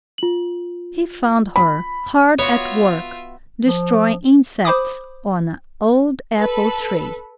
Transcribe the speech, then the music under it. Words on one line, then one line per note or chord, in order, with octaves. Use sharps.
He found her hard at work destroying insects on an old apple tree.
F4 F#7
B5
B3 F4 F#4 C#5 E5
F3
C5 B5 D6 D#6
A4 B4